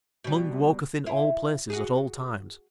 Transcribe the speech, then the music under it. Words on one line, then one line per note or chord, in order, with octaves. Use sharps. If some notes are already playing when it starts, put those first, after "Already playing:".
Mung walketh in all places at all times.
B2 G3
E4 F4
F#4 G#4